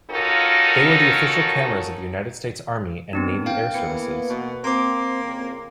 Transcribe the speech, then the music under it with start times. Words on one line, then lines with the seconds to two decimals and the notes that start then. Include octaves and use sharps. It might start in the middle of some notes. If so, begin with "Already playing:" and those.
They were the official cameras of the United States Army and Navy Air Services.
0.10 C#4 D#4 F4 F#4 A4 A#4
3.13 D#3 B3 C4 D4 G4
3.46 D#3 A#3 F5 G5
3.74 E3 A#3 B3 C#7
4.29 B2
4.64 A#3 C4 C6 D6
5.24 F2 C#3 C4